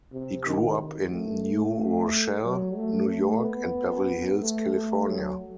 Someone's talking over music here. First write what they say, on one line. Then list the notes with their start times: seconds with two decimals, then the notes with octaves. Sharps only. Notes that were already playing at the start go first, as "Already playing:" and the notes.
He grew up in New Rochelle, New York, and Beverly Hills, California.
0.13 C3
0.46 D#3
1.12 A3
1.44 A3
2.43 F#3
2.76 A3
3.09 A3
3.43 B3
4.41 A3
4.74 A3
5.07 F#3